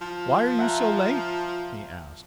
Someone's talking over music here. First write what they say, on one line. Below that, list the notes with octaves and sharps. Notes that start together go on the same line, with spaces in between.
"Why are you so late?" he asked.
F3
E5 F#5 A#5